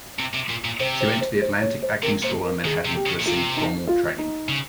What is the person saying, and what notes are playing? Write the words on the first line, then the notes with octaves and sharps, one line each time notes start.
She went to the Atlantic Acting School in Manhattan to receive formal training.
C3
C3
A#2
A#2
C3 C5
C5
C5
C5
C#5
C5
C3 A#4
A#2 C5
A#4
D#3 G#4
C3
G4
C#3
A#2
C3 F4
D#4
F4
D#4
C#3